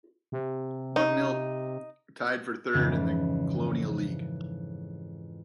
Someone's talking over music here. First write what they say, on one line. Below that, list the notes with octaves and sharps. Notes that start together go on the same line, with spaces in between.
Bucknell tied for third in the Colonial League.
C3
D#4
F2 G#2 C#3 E3 A6